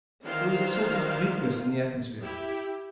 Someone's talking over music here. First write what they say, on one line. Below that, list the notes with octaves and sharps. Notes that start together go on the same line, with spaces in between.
There was a sort of bleakness in the atmosphere.
D#3 E3 D4 F#4 C5 F5
E4 G4